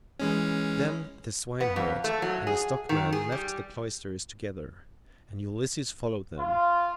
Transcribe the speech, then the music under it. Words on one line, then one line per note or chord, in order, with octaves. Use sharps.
Then the swineherd and the stockman left the cloisters together, and Ulysses followed them.
E3 G#3 C#4
B3
F2
A3
F#3
G#4
D#3
G#4
G3
F4